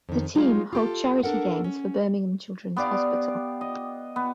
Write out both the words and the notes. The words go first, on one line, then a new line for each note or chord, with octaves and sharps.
The team hold charity games for Birmingham Children's Hospital.
F2 D#3
F#3 G#3 D#4 F4 G4
F4 G4 A4
D4 A4 A#4 F#5
C#4
B3 G4 D5 F5
D#5
B3